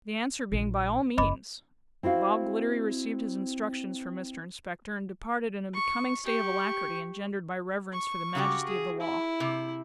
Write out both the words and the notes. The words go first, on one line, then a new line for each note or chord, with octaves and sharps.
The answer being By all means, Bob Gliddery received his instructions from Mr Inspector, and departed in a becoming state of alacrity engendered by reverence for the majesty of the law.
A#1
F#1 D#5 B5 D6
C4 E4 F#4 F5
C#6
G4 C#6
C#6
C#3 F#4 G4
G#4
E4
C3